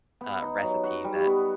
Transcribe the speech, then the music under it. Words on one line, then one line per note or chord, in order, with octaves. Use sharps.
uh, recipe that
B3
D#4
F#3
F#4
G3
B3